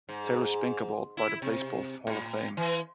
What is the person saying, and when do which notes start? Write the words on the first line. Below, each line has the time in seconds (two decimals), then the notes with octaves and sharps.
Taylor Spink Award by the Baseball Hall of Fame.
0.09 G#2
1.17 E4
1.42 C3
2.07 A2
2.57 E3